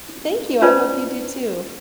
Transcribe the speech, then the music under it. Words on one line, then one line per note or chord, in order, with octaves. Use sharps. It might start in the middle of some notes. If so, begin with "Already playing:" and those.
Thank you, I hope you do too.
C#4 F4 B4 C5 D5 A5